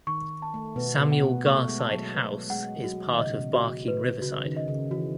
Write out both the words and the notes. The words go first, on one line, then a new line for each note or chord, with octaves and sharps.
Samuel Garside House is part of Barking Riverside.
D#3 C#6
A5
A3
B2 B3 B4
B2 B3
F#5
B2 B3
A3 C#6
G#3
A5
F#3
B4
G#3 F#5
F#3 F#4
D#3
C#3 D#5
B2
F#4
B4
C#3 F#4
C#3
D#3
D#5
C#3
E3 F#4